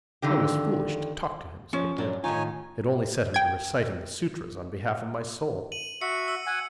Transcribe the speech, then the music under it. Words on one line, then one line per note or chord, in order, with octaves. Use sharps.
I was foolish to talk to him as I did;--it only set him to reciting the sutras on behalf of my soul!
F2 D3 D#3 G4
F3 C#4
F#2 F#3 D4
A2 D#3 D#4 F4 C#5 G#5
G5 G#6
D#7 F#7
F#4 E5 C#7
E6
F#5 G#5